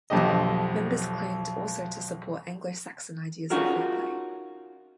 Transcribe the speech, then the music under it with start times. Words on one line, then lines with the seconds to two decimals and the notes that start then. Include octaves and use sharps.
Members claimed also to support Anglo-Saxon ideas of fair play.
0.10 B1 F2 D3 G4 D#5
3.50 C#4 D#4 F4 F#4 G#4 A#4